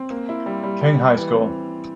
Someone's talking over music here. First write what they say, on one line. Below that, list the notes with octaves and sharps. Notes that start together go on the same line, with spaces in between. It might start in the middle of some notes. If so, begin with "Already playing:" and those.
King High School.
Already playing: C4
A#3
E4
G3
G3
G3
G3
E3
C4